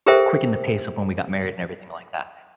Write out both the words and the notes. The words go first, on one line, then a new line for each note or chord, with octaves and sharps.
quickened the pace of when we got married and everything like that.
G4 A4 A#4 C5 E5 G5